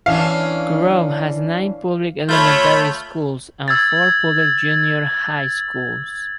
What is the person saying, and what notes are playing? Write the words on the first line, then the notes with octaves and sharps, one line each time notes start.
Kurobe has nine public elementary schools and four public junior high schools.
E3 C#4 D4 F5
A3 F4 C#5 B5 G6
E6 G#6 A6